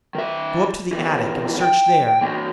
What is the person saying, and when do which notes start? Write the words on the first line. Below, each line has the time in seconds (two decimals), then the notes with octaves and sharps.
Go up to the attic and search there.
0.15 D#3 E5
0.93 D#2 E3
1.61 G5
2.21 E3 A#3